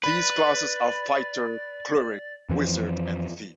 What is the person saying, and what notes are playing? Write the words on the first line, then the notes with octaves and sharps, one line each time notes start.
These classes are fighter, cleric, wizard and thief.
B4 D5 B5
F2 E3 F3